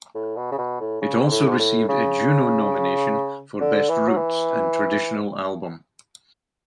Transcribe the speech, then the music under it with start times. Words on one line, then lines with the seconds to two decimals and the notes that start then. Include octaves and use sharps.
It also received a Juno nomination for Best Roots and Traditional Album.
0.15 A2
0.36 B2
0.51 C#3
0.58 B2
0.80 A2
1.01 C#3
1.25 G#2
1.31 A2
1.48 G#2
1.59 A2
1.88 C#3
3.60 D3
3.89 E3
4.08 F#3
4.17 E3